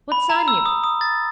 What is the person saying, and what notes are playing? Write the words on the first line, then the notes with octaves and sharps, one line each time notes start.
What's on you?
B5
A#5
E6
D#6
D#6
A6